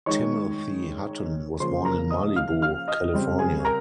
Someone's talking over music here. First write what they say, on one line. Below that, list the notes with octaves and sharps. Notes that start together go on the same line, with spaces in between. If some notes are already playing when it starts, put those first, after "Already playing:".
Timothy Hutton was born in Malibu, California.
D#3 G#3 D#4 C#5 C#6
C#3 F3 A#3 C5 C6
A#4 A#5
D#5 D#6
F5 F6
F5 F6
D#5 D#6
C#3 G3 C4
G#4 G#5
A#4 A#5